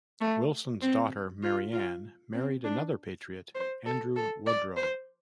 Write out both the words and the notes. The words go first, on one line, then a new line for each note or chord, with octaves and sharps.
Wilson's daughter, Mary Ann, married another patriot, Andrew Wodrow.
A3
C4
F4
F4
C4
D4
C5
A4
A4
D5
C5